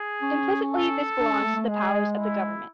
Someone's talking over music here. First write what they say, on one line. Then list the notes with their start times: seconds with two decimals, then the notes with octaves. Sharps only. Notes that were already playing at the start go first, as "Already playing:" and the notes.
Implicitly this belongs to the powers of the government.
Already playing: G#4
0.22 C#4
0.70 A4
1.20 D4
1.31 C#4
1.44 A3
1.55 A3
1.68 G#3 G#4
2.17 E4